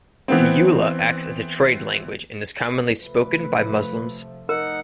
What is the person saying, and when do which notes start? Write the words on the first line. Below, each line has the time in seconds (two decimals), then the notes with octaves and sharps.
Dyula acts as a trade language and is commonly spoken by Muslims.
0.28 E3 B3 C4
3.00 C3 F3 A3 B4
4.49 D#4 A#4 F#5